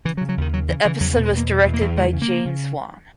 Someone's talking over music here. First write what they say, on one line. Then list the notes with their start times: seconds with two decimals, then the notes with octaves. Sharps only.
The episode was directed by James Wan.
0.05 C#3 E3
0.17 F#3
0.21 C#3
0.29 F#3
0.37 D#2 D#3
0.53 C#3 F#3
0.69 C#3 E3
0.85 C#3 E3
1.00 E2 F#3
1.13 B3
1.17 B2
1.26 G#3
1.32 E2 A#3
1.49 B2
1.65 E2
1.74 A#3
1.81 E2
1.97 C#3 G#3
2.13 C#3
2.22 A#3
2.29 C#3
2.45 C#3